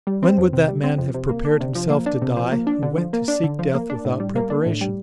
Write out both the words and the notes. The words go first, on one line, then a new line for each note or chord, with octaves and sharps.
When would that man have prepared himself to die, who went to seek death without preparation?
G3
C4
F2
C3
G3
C4
F2
C3
A#3
D4
C3
F3
A#3
D4
C3
F3
A#3
D4
D3
F3
A#3
D4
D3
F3
A#3
D4
A2
G3
A#3
D4
A2
G3